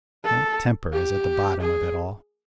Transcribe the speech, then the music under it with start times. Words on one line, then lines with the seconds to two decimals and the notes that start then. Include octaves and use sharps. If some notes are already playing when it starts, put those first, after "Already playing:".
My temper is at the bottom of it all.
0.25 A4
0.92 G4
1.61 G#4